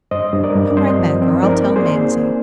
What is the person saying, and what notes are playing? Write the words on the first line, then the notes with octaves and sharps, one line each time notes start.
"Come right back, or I'll tell mamsie!"
G2 C5 D#5
G2
A#4 D5
G2
C4 C5 D#5
F3
C4
D#4 A#4 D5
A#3
G#4 C5